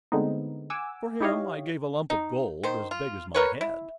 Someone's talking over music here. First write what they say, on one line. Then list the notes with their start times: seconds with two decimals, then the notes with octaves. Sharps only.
"For him I gave a lump of gold as big as my head."
0.12 D3 G#3 A3 B3 C4 D#4
0.70 F#5 G#5 D6 E6
1.21 D#4 E4 G4 C#5 D#5 F5
2.10 D#4
2.63 D#3 C5
2.91 F4
3.34 A#4 B4 C#5
3.61 E4